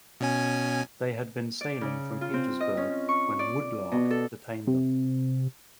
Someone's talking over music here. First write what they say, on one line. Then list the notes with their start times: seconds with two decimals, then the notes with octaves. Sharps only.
They had been sailing from Petersburg when "Woodlark" detained them.
0.20 B2 C#4 G#5
1.61 D5
1.81 C#3
2.21 F4
2.34 C4
2.60 D#5
2.77 C#4
3.09 C#6
3.39 D5
3.92 B2
4.11 A4
4.67 C3